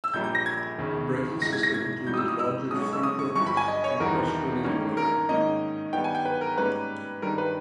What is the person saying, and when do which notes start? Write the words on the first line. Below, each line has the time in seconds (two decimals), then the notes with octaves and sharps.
The braking system included larger front rotors and cross-drilling all around.
0.04 E6
0.14 A#1 A#2 G3 A#3 G6
0.24 G6
0.35 A#6
0.46 G#6
0.78 E1 D#2 C#3
1.42 G#2 E3 G#3 A#6
1.53 G#6
1.63 A#6
1.74 G#6
2.06 G#2 E3 G3 G6
2.14 D#6
2.17 E6
2.28 D#6
2.39 E6
2.71 B1 B2 G#3 C#4 D#6
2.82 C#6
2.93 E6
3.03 D#6
3.19 C#6
3.35 G1 G2 G3 C#6
3.46 B5
3.57 G#5
3.68 D#5
3.84 C#5
4.00 E1 E2 D#3 G3 B3 A#4
4.64 G2 D#3 A#3 C#4
4.97 A#4
5.29 G#2 D#3 A#3 C#4 D#5
5.93 G2 D#3 G3 B3 G5
6.04 G#5
6.15 G5
6.25 B4
6.41 A#4
6.58 G#2 G3 A#3 C#4 B4
7.22 G2 D#3 G3 A#4
7.38 B4